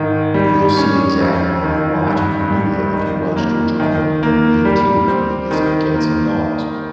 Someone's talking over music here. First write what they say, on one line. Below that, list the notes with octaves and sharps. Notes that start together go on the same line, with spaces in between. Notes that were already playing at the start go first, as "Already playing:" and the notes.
you'll see exactly when you watch, if you do that, if you watch George Carlin, you're gonna be in tears when he gets to the cats and dogs,
Already playing: G#2 D#3
G3
C#4
F2
D#3
G2
G3
D#3
A#3
D#3
A#3
G3
C4
D#3
A#3